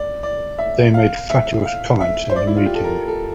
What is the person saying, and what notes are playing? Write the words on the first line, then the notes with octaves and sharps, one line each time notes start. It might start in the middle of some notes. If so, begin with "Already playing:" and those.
They made fatuous comments in the meeting.
Already playing: D5
D5
E5
F5
E5
F5
E5
C5
D5
E4
F4
G4
A4
A#4
A4